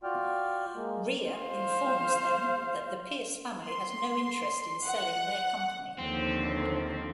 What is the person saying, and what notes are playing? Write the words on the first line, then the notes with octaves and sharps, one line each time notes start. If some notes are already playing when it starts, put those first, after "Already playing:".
Rhea informs them that the Pierce family has no interest in selling their company.
F4 F#4 D5 G5 F6
G#3 A#3
C5 F5
C6
F#5
D#2 D3 F3 C4